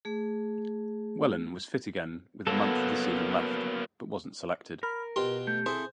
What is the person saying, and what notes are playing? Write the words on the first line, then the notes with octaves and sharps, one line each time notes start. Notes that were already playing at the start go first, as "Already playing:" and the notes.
Whelan was fit again with a month of the season left, but wasn't selected.
A3 G#4
F#3 A#3 B3 A4
A#4 B5 F6
B2 F4 G4 C6
A3 G6
C4 E4 G#4 A4 C5